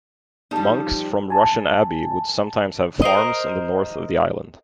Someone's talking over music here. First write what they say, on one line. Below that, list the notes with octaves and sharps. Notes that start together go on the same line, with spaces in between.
Monks from Rushen Abbey would sometimes have farms in the north of the island.
F3 G3 D#4 A5
G#5 A5
A#4 C5 D#5